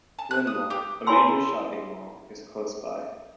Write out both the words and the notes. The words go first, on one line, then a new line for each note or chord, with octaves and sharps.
LynnMall, a major shopping mall, is close by.
A5
F#6
D#6
G4
E4 C#5 G#5 B5 C6 E6